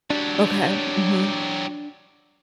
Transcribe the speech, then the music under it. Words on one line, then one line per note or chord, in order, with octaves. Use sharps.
Okay, mhm.
F#3 D4 G4